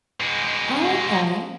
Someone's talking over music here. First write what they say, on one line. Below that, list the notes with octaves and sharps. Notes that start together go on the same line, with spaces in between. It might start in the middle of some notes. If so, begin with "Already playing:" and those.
Oh, okay.
B2 G#3